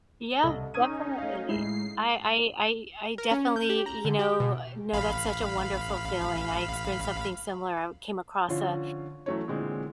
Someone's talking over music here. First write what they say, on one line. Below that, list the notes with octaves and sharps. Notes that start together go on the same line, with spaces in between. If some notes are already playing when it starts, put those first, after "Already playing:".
Yeah, definitely. I I I I definitely, you know no, that's such a wonderful feeling, I experienced something similar, I came across a
C2 A4 D#5
C#4 D#4 D#6 G#6 D#7
A3 F5
A2 G#3 E4 G#4 C7
A#4
C#4
G6
G4
A#5
D3
G4
B2
A1 F5 B5
D3 F3 C#4 F4
E3 F#3 A3 C#4 C#5
A#2 D3 E3 G#3 C4